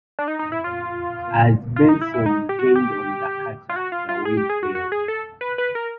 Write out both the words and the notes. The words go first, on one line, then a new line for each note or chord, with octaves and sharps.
As "Benson" gained on the cutter the wind failed.
D4
D#4
D#4
E4
F4
F4
D#4
E4
E4
D#4
G4
F#4
G4
F4
F#4
F4
F4
G#4
G4
G#4
F#4
F#4
G#4
A4
B4
B4
A#4